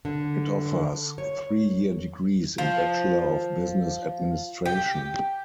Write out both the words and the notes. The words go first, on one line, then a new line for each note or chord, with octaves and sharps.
It offers three year degrees in Bachelor of Business Administration.
D3
C#5
F3
G4